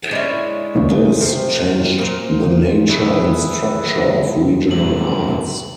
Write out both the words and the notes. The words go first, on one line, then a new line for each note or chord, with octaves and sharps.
This changed the nature and structure of regional arts.
G#3 C#4 D4 E4 C#5
C3 F3 C4
A#2 A#3 C5
D#3 E3 F#3 A3 G#4 B4 E5
C2
A2 C3 F#3 G3 D4 F#7